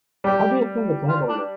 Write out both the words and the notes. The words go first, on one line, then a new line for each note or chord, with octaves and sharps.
How do you think the table looks?
G3 G4
F4
D4